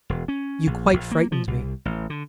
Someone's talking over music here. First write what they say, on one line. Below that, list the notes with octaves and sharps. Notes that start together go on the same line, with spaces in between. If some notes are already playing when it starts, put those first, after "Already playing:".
You quite frightened me.
E1
C#4
A#1
A#1
A#3
F3
C2
A1
D3